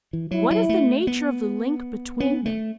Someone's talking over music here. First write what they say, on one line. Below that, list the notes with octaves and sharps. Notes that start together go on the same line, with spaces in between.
What is the nature of the link between them?
E3
F#3 E4
F#3
A3
B3
B3 C#4
A3